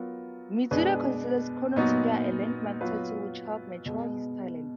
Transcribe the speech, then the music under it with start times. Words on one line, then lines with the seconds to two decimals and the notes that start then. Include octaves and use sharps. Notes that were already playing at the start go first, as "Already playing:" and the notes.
Mitsuda considers "Chrono Trigger" a landmark title which helped mature his talent.
Already playing: F#3 B3 F4 A#4
0.71 B2 G#3 D4 G#4 B4
1.76 A#2 F#3 B3 D#4 F#4
2.81 F#3 B3 F4 B4
3.86 B2 G#3 B3